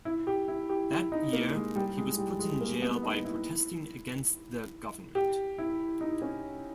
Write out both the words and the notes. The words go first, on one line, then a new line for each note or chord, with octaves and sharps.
That year he was put in jail by protesting against the government.
E4
G4
E4
G4
E4
D#4
A#3
G#3
G3
G#3
G3
G#3
A#3
B3
D#4
E4
G4
E4
D#4
C#4